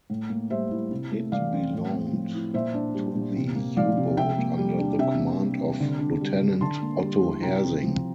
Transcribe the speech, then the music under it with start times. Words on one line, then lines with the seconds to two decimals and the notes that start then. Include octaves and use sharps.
It belonged to the U-boat under the command of Lieutenant Otto Hersing.
0.10 A2
0.30 A#3
0.50 G3 C5 E5
0.71 E4
0.91 C3
1.11 A3
1.32 E3 D5 F5
1.52 C4
1.73 A2
1.93 C4
2.13 F3
2.34 E4
2.54 A#2 C5 E5
2.74 D4
2.94 G3
3.15 A#2
3.36 C3
3.55 A#3
3.77 F3 D5 F5
3.97 C3
4.17 C3 E5 G5
4.38 A#3
4.58 G3
4.79 D4
4.98 C3 E5 G5
5.19 A#3
5.39 G3
5.59 C3
5.80 D3
6.00 D4
6.21 G3
6.41 D3
6.61 D3 A5 C6
6.82 A#3
7.02 G3
7.23 E4
7.42 C3 G5 A#5
7.63 C4
7.83 F3